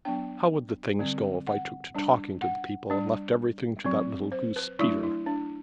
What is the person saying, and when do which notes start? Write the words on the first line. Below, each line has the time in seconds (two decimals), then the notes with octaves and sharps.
How would the things go, if I took to talking to the people, and left everything to that little goose, Peter?
0.05 F#3 B3 D4 G5
0.99 D3 G3 C4
1.47 F#5
1.95 G3 D4
2.42 F#5
2.90 G3 D4
3.84 F#3 C4
4.32 C5
4.56 B4
4.79 F#3 A3 D4 E4
5.03 E4
5.26 D4